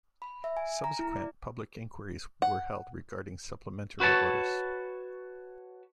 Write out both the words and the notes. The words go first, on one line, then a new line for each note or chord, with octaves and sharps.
Subsequent public inquiries were held regarding Supplementary Orders.
B5
E5
G#5
A#5
E4
D5
F#5
F#4 B4 C#5 A5